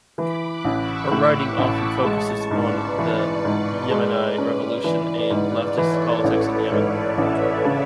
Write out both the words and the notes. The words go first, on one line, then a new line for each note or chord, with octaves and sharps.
Her writing often focuses on the Yemeni Revolution and leftist politics in Yemen.
E3 B5 D6
D6 F#6
A1
C#6 E6
A2
A1 A5 C#6
G#3 A5 C#6
G#2 B4 D5
E3
G#2 B4 D5
G#3
C#4
E3
G#2
E3 A4 C#5
A1 B4
G#2 A4 C#5
A1 C#5 E5
C#3